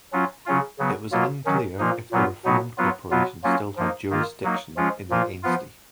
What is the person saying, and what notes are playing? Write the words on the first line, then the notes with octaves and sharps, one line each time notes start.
It was unclear if the reformed corporation still had jurisdiction in the Ainsty.
F#3 C#4 F4
C#3 F#3 C#4 F4
C#3 F#3 B3
B2 F#3 A#3 F4
D#3 F#3 C#4
A#2 F3 A#3 D#4
A#2 F#3 B3 F4
B2 F#3 B3 D#4
F#3 B3 F4
B2 F#3 B3 F4
F#3 A#3 C#4 F4
F3 A#3 D#4
D#3 A#3 F4
F#3 A#3 D#4
F3 G#3 C#4 F4
A#2 F3 A#3 F4
F3 B3 F4